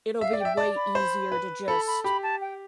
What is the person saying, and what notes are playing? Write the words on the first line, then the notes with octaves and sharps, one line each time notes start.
it'll be way easier to, just,
E5 F5
D5
G5
E5
D5 A5
B5
C5
B4
A4 B5
B5
G4 B5
A5
G5